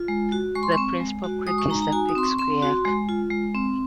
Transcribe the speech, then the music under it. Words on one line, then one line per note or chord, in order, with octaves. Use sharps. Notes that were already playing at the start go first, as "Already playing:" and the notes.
The principal creek is the Pixquiac.
Already playing: F4
G#3
F#4
G#3 C#6
C6
C#6
C4
G#3
F#4
G#3 D#6
C#6
D#4 A#5
A#5
F#4 G#5
D#6
C4 C6
C#6
C4 C6
F#4
G#3
F4
G#3
C4